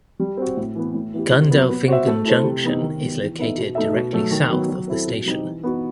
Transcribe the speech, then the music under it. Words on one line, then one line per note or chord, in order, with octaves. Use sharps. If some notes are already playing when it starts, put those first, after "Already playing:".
Gundelfingen junction is located directly south of the station.
G3
C4 F#4
A2
E3 B3
A2
E3 B3 E4 G4
C3
F#3 B3
B3
F#4 C5 E5
A3
E4 A4 C5
C3
E3 B3 D#4
D#3
G3 B3
E3
B3 D#4 A4 E5
B2
A3 D#4 A4 E5
B2
F#3 A3
D#3
F#3 B3
F#3
C4 E4 A4
B2
G3 C4 D#4 G4
E3
B3 D#4 F#4